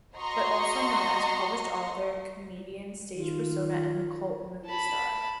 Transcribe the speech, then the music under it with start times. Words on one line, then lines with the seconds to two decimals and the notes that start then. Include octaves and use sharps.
But also known as a published author, comedian, stage persona and cult-movie star.
0.18 F#4 D#5 A#5 C6 C#6
3.16 D#3 F4
4.66 A5 B5